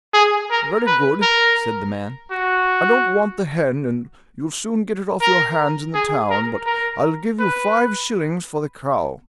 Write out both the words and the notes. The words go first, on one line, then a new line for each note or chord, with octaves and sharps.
'Very good!' said the man; 'I don't want the hen, and you'll soon get it off your hands in the town, but I'll give you five shillings for the cow.'
G#4
A#4
B4
A#4
F#4
A#4
G#4
A#4
A#4
B4